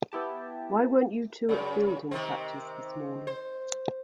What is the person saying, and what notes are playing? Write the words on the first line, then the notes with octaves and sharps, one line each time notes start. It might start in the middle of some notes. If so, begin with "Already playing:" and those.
Why weren't you two at fielding practice this morning?
B3 E4 G4 A5
F#2 C#3
C3 D#3 C4
C5